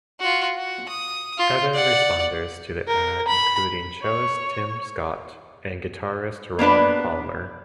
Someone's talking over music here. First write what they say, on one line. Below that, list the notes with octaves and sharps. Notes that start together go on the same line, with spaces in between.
Other responders to the ad included cellist Tim Scott and guitarist Ron Palmer.
F4 F#4
F#4
D#6
F4
D5 F#5
A#4
B5
C#5
A#3 B3 D4 B4